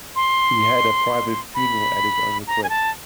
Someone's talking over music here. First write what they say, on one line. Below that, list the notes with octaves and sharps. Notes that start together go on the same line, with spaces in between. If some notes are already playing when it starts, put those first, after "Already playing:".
He had a private funeral at his own request.
C6
B5
A#5
G#5
A5